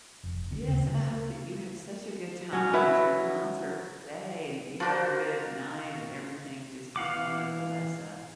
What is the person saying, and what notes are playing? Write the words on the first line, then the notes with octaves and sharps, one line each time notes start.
Yes, and I hope that you have such a good time at your concert today, and you have a good night, and everything just is wonderful, that's, uh,
F1
D2
C#3
F#3 C#4
F#3 E4 B4
F3 D4 F4 F#4 A#4 C5
E3 F5 F#5 D6